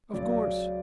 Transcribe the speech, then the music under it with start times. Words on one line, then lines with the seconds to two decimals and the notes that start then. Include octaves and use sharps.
"Of course."
0.13 C#2 C#3 F#3 D5